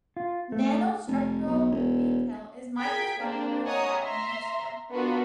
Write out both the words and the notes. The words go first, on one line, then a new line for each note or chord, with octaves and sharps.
Nanostructural detail is microstructure at nanoscale.
F4
A3
F1
B1
E1
G#4 A#4 G5 G#6 B6 D7
A#3 C4 D4 G4
C#5 D#5 F#5 G#5 A#5 D#6
E5 A#5 C6
B3 D4 F4 F#4 A#4